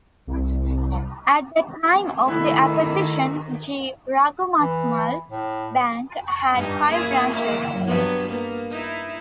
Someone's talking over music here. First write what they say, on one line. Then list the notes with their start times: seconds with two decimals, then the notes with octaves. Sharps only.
At the time of the acquisition G. Raghumathmul Bank had five branches.
0.27 C2
2.26 D#3 A3 E4 F#6
4.61 E3
5.31 A2
6.54 G2 G3 D#4
6.88 A#3 E4 G#4
7.29 A#3 E4
7.87 G2 F#3 B3
8.27 A#3 B3
8.70 D#4 E4